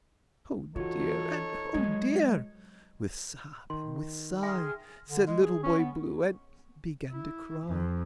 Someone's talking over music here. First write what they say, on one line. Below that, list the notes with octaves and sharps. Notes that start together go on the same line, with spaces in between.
"Oh dear! and oh dear!" with sob and with sigh, Said Little Boy Blue, and began to cry.
E3 D#4 F4 F#4 A4 C#5
F#3 G#3 D#5 G#6
D#3 C6
G#4 E5 G5 G#5 C6 F6
D3
G#3
G#4
C#4
B3
E4
F2